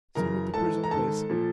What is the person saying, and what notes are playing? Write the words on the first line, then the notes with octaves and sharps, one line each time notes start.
See what the prisoner is.
F#2 C#3 E3 A#4 A#5
G#2 E3 A4 A5
A#5
G#2 D#3 A4 A5
A#2 F3